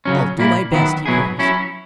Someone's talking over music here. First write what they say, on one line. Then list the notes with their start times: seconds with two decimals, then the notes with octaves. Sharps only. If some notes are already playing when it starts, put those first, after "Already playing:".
"I'll do my best," he promised.
0.05 C#3 F#3 C#4
0.39 A#2 A#3 E4
0.72 D#3 F#3 B3 E4
1.06 B2 F#3 B3 E4 G#4
1.39 F#3 C#4 E4